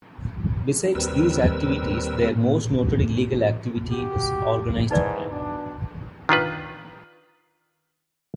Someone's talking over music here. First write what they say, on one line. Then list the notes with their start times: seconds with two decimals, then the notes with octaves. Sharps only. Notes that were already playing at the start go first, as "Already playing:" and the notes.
Besides these activities, their most noted illegal activity is "organized crime".
0.95 D#2 G3 C4 A#4 B4 E6
3.90 F#4 G4
4.91 G#2 D#3 E3 D#4 B4 D5
5.31 B2 D4
6.29 D#3 D4 F4 B4